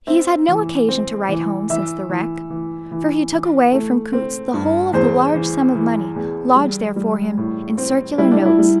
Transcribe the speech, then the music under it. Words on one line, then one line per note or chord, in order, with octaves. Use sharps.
He has had no occasion to write home since the wreck; for he took away from Coutts's the whole of the large sum of money lodged there for him, in circular notes.
C4 E5
E3
C4
E3
E3 E5
E3
E3
E3
E3
A3
C4
G2
E2 C5
E3
E3
E2
G3
G3
A2
C4
G3 E4
D4
E4
G3